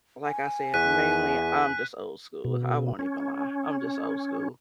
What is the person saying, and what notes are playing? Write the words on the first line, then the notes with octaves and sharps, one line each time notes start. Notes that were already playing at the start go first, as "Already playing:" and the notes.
like I said, mainly I'm just old school, I won't even lie. I'm just old school.
G#5
E2 F#6 B6 D#7
B2
C#4